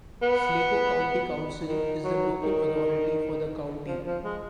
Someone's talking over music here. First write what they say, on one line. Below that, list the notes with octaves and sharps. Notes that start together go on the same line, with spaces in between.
Sligo County Council is the local authority for the county.
B3
D#3
F#3
D#3
F3
F3
G#3